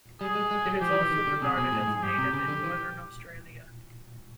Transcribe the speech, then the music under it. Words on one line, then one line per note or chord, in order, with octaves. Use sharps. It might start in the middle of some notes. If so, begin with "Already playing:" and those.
It is also regarded as native in northern Australia.
G3 G#4
G#3
G#3
F#3
F3 G4
E3
E3
D#3
D3
C3 G#4
B2
A2
G#2
G#4
G2 G4
C3
C#3 G4
D3
E3